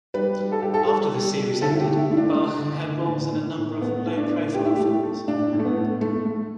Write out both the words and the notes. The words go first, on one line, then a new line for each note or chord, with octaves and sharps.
After the series ended, Bach had roles in a number of low-profile films.
G3 B4
G3
A4
G3 G4
A4
G3 A4
G3
G3
D3 A4
E4
A3 G4
E4
A3 E4
D4
A3
D3
D3
A2
A2
A2
A3 B3
A3
D4
A2
A3 G4
E4
A3 G4
A3
A2 D4
A2
A3
B3
A3
A3
A3